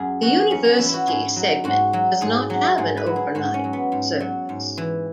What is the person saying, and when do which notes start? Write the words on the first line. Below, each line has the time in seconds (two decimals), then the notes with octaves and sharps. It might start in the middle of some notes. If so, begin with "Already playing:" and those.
The University segment does not have an overnight service.
Already playing: F#2 G#4
0.22 E3 F#4
0.51 F#2 C#4
0.65 C#4
0.78 E3 E4
0.89 E4 F#4
1.07 G#2 G#4
1.36 F#3
1.64 G#2 F#4
1.93 F#3
2.21 G#2 G#4
2.50 F#3
2.78 G#2 G#4
2.97 B4
3.06 F#3
3.16 G#4
3.35 G#2 F#4
3.54 C#4
3.64 F#3
3.73 B3
3.92 G#2
4.20 F#3
4.49 G#2
4.77 E3